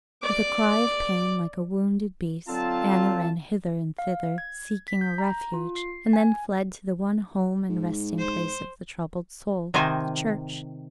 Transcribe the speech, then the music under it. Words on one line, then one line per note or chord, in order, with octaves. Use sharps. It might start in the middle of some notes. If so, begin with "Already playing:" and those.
With a cry of pain, like a wounded beast, Anna ran hither and thither seeking a refuge, and then fled to the one home and resting-place of the troubled soul--the church.
D5 D6
D3 F#3 C4 F4 A5
F5
G#6
B6
G6
A#5
F4
C7
G#5
G#2
C5
C3 D#3 D#4 C5 G#5